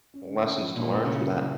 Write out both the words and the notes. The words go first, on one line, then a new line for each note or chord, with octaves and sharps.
lessons to learn from that.
C#4
D3
C#4
F3
A#2 D4
D3
C#3 E4
G3
E4